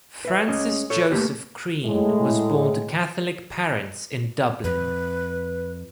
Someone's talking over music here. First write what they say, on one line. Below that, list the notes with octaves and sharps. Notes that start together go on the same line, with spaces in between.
Francis Joseph Crean was born to Catholic parents in Dublin.
B4 E5
G#3 C#4 D#5
A4 C#5
A3 A#3 C4 G4 B4
A2 G#3
F2 B4